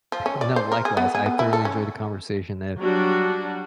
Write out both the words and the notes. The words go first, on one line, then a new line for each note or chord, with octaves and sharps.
no. Likewise. I thoroughly enjoyed the conversation, uh,
F3
C#4
D5
C5
A#4
G#4
B3
G#4
B3
E4
A4
C#4
F#3 G3 D4 F#4